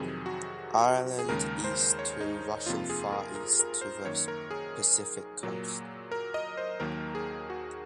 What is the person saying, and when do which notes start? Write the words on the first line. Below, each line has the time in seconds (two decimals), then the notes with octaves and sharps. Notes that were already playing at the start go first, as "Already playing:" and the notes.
Ireland east to Russian Far East to the Pacific coast.
Already playing: F2 C3 D#3 F#3 G#4
0.26 F#4
1.19 G#4
1.29 D#2 C#3 G#3 A#4
1.64 C5
1.99 C#5
2.21 D#4
2.66 F2 C3 F3 A#3 F4
2.89 G#4
3.12 A#4
3.35 A#4
3.59 A#4
3.81 C5
4.05 F#2 D#3 A#3 C#5
4.28 A#4
4.51 G#4
5.43 A#2 F#3 A#3
6.12 A#4
6.34 D#5
6.57 C5
6.80 D#2 D#3 F#3 A#3 A#4
7.15 G#4
7.50 F#4